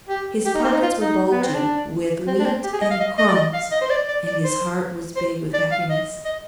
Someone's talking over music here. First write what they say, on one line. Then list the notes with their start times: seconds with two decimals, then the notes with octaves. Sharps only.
His pockets were bulgy with wheat and crumbs, and his heart was big with happiness.
0.09 G4
0.46 G4
0.55 D#4
0.64 C4
0.73 D#4
0.82 F4
1.01 D#4
1.32 B3
1.43 C4
1.54 D4
2.27 C4
2.40 D4
2.46 C4
2.64 G4
2.73 G#4
2.81 D#5
2.91 F5
3.00 D#5
3.18 D#5
3.28 D5
3.36 D#5
3.54 F5
3.72 D#5
3.81 C5
3.90 D5
4.08 D5
4.27 D5
4.45 C5
5.17 C5
5.54 D5
5.72 F5
5.90 D#5
6.25 D#5